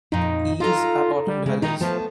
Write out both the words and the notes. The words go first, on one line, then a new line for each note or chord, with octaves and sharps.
Eels are bottom dwellers.
F2 A#2 D#4
D#4 F4 A4 A#5
G3
C#3 G#3
D#3 D#4 E4 A#4
F3 A3 B3 A5